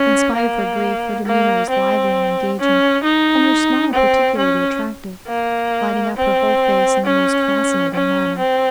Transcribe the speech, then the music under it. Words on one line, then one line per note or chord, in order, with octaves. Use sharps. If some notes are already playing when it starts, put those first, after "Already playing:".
In spite of her grief her demeanour was lively and engaging, and her smile particularly attractive, lighting up her whole face in the most fascinating manner.
Already playing: C#4
A#3
A#3
C4
C#4
D#4
C4
C#4
A#3
C4
C#4
C#4
C4